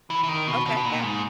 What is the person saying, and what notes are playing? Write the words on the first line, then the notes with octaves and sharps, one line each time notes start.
Okay, yeah.
E3
E3
D#3
B2
B2
B2
A#2
G#2